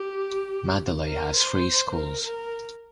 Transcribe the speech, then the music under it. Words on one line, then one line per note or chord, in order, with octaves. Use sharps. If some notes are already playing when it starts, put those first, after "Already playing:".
Madeley has three schools.
Already playing: G4
A#4
C5
A#4
A#4